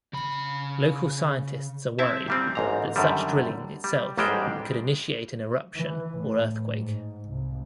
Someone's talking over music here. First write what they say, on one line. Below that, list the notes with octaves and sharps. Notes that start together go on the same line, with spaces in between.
Local scientists are worried that such drilling itself could initiate an eruption or earthquake.
C#3 B5
C4 E4 E5 A5
A#2 G3 C4
A1 G#2 A#5
F#2 D3 D#3 G3
G3
A1 G#2 G3 G#3 C5 G5
E3
A2
G#2
C2